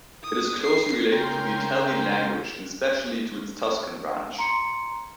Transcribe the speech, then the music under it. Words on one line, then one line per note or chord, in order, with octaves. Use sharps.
It is closely related to the Italian language and especially to its Tuscan branch.
D#6
C7
C#3 A#4 G5 C6
A#5 C6 C#7